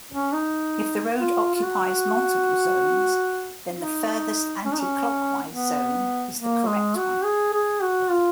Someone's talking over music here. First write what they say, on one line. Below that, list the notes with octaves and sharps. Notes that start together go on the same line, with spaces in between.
If the road occupies multiple zones, then the furthest-anticlockwise zone is the correct one.
C#4
D#4
F4
F4
F#4
D#4
C#4
D#4
C#4
B3
A#3
G#3
F#4
G#4
G#4
F#4
F4